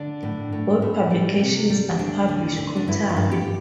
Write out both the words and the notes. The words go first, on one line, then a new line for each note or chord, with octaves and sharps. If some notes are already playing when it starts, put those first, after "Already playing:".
Both publications are published quarterly.
Already playing: D3 D4
A2
A2
A2
G3
C3
G3
D2 D4
D3
D3
D4
G2 E4
F4
G2
A4
G4